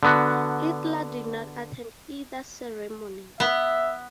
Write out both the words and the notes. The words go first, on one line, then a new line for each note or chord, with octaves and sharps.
Hitler did not attend either ceremony.
D3 B3 F#4
B3 E5